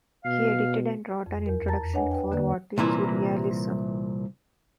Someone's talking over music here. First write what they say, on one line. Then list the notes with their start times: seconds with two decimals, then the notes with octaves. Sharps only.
He edited and wrote an introduction for What is Surrealism?
0.25 B2 F5
1.26 F2
1.46 E2 A#4
1.68 A5 A#5 A6
1.94 D4 B4 C#5 D#5 F#5 G#5
2.11 B4 G5
2.32 D3 A#3 B4 D5
2.78 C2 A#2 E3 E4